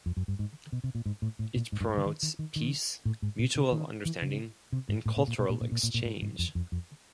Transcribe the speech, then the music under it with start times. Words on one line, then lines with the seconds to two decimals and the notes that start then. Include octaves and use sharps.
It promotes peace, mutual understanding and cultural exchange.
0.06 F2
0.17 F#2
0.28 G2
0.39 G#2
0.72 B2
0.84 C3
0.95 A#2
1.06 G#2
1.22 A2
1.39 A2
1.56 A#2
1.72 G#2
1.81 G2
1.89 G#2
1.97 D3
2.06 D#3
2.23 D#3
2.39 D#3
2.56 D#3
3.05 A2
3.22 G#2
3.39 A#2
3.55 C3
3.72 D#3
4.05 E3
4.22 C#3
4.72 C3
4.89 G#2
5.06 A2
5.17 A#2
5.28 A#2
5.39 B2
5.50 A#2
5.61 A#2
5.72 A#2
5.83 A#2
5.94 A#2
6.05 A2
6.22 G#2
6.39 F2
6.55 F2
6.72 F2